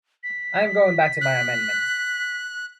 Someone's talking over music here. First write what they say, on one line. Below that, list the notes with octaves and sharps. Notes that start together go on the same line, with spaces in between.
I am going back to my amendment.
B6
F#6